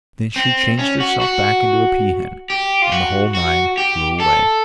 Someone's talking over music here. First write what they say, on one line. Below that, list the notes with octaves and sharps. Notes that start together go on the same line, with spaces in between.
Then she changed herself back into a pea-hen, and the whole nine flew away.
C4
C#4
F#4
F#4
G4
F4
F#4
F#4
G4
A4